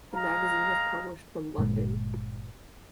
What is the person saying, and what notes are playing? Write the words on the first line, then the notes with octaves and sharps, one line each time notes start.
The magazine is published from London.
G#3 F5 A#5
G1 A#2 G#3